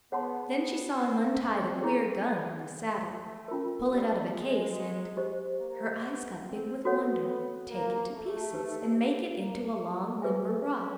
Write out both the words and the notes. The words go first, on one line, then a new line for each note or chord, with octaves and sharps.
Then she saw him untie the queer "gun" on his saddle, pull it out of a case and--her eyes got big with wonder--take it to pieces and make it into a long limber rod.
B3 G#4 C#5 F#5 A5 C6
B3
C4
C4
E4 G#4 C#5
A3
C#4 F4 A#4
G3
G#3
G4 C5 D#5
A#3
B3
C4
B3 F#4 A4 C#5 F#5
A#3
A3
D#4 G4 B4
A#3
G#4 B4 E5 G#5
C#4